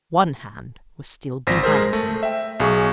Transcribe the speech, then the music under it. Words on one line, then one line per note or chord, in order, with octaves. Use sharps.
One hand was still behind him.
G#1 C5 A#6 B6
G#3 G#4 A#4 C5
A3
E5 G5
B1 G#4 C#6